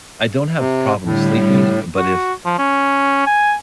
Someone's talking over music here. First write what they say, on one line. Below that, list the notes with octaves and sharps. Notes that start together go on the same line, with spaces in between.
I don't have problem sleeping, but if
C3
A2 D3 G3
F#4
F3
C#4
G#5